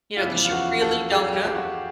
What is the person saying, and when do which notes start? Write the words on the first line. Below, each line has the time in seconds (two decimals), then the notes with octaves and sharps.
You know, 'cause you really don't know.
0.17 F4
0.23 E2 C#3 F3 E4
0.45 F4
0.52 F#4
0.82 A4
1.11 G#4
1.33 G4
1.45 G4
1.55 F#4